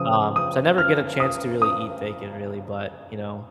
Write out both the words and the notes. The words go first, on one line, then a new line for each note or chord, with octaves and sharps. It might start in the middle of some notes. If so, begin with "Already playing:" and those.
Um, so I never get a chance to really eat bacon really, but, you know.
Already playing: C#3 F3 D#6
D#6
F6
D#6
D#6